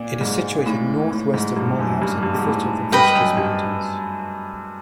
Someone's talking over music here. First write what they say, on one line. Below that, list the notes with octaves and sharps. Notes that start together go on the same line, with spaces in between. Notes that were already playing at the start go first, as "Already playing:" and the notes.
It is situated northwest of Mulhouse at the foot of the Vosges mountains.
Already playing: A#2 D5
G#2
A2
A2
G#2
G2
F#2
G2
G2
G#2
A2
G2 B4 D#5 G5
F#2
G2